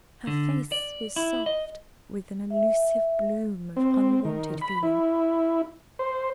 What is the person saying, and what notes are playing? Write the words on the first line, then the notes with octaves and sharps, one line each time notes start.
Her face was soft with an elusive bloom of unwonted feeling.
D3
D5
E4
D#5
E5
C4
D#3
B5
E4
C5